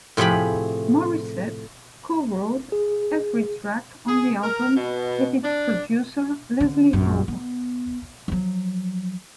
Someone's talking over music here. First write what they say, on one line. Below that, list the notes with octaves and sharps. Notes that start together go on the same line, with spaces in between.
Morissette co-wrote every track on the album with its producer, Leslie Howe.
A2 C3 F3 G4 G#4 B5
G#4
G#4
A#4
B2
D4
D3
A#1 F#2
B3
F3 F#3